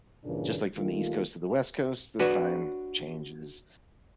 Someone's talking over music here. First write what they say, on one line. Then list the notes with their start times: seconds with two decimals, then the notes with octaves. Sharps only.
just like from the East coast to the West coast, the time changes.
0.25 G2 A#2 C#3 E3 A#3 D4
0.77 D#3 G3 A3 A#3 F4
2.19 D4 F#4 B4 C#5